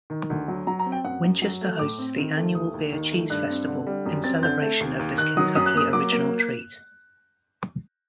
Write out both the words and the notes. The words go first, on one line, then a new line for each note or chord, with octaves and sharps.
Winchester hosts the annual Beer Cheese Festival in celebration of this Kentucky original treat.
D#3
D2
F#3
F#3 A#5
A#5
C4
G5
F#2 F#5
F#2
F#3
A3
A2 D6
C4
D#3
A3
D#2 D#6
D#2
D#3
A3
G2 F#6
C4
D3
G3
F#2
C4 A6
D3 G6
A3
D#2
D#2
D#3 F#6
F#3 D#6
F#2 D#6
F#6
A#3 D#6
F#3 D6
A#3